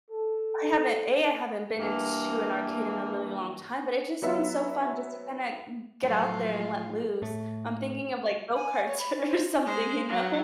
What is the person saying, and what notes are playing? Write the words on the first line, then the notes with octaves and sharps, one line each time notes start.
I haven't a. I haven't been in to an arcade in a really long time, but it just sounds so fun just to kinda g get out there and let loose. I'm thinking of, like, go-karts or something, you know?
A4
G2 E3 A#3
F#3 B3 E5
A2 F3 F#3 A3 F4
A2 A3
G#5
C#5
B5
C#4
C5
G#3 C5
F#3